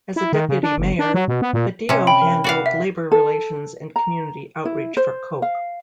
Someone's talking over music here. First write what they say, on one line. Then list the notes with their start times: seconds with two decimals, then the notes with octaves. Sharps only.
As a deputy mayor Badillo handled labor relations and community outreach for Koch.
0.16 E4
0.33 D#3
0.49 C#3
0.63 D4
0.78 G1
0.99 D4
1.14 F#3
1.28 B2
1.42 B3
1.53 A#2
1.89 C3 C#4
2.07 G5 B5
2.22 A#4
2.44 F#4 D5 F5
2.66 E5
3.12 A4
3.96 A#5
4.65 E4
4.97 C5
5.42 F5